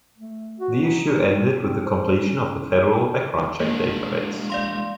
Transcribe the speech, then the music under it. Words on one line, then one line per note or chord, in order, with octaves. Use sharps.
The issue ended with the completion of the federal background check database.
A3
F#4
D#4
C4
C5
C#4
G#3 A#3 D4
D5 F5 C6